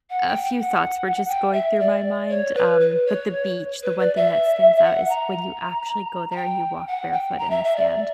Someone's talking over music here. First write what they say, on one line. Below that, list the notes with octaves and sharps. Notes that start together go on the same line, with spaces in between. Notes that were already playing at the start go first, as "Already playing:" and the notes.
a few thoughts were just going through my mind. Um, but the beach, the one thing that stands out is when you actually go there, and you walk barefoot in the sand,
F#5
G5
G5
F#5
G5
E5
D5
C#5
B4
B4
C#5
B4
D5
E5
E5
F#5
A#5
A#5
G5
F#5
G5
A#5
E5
E5
D5